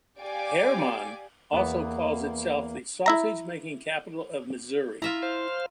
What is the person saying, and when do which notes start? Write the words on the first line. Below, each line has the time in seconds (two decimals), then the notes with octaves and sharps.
Hermann also calls itself the sausage-making capital of Missouri.
0.20 G4 D5 F5 G5 G#5 D6
1.53 E2 A#3 B3
3.06 E4 E5 A#5
5.02 E4 F4 E5 A#5
5.22 C5 F5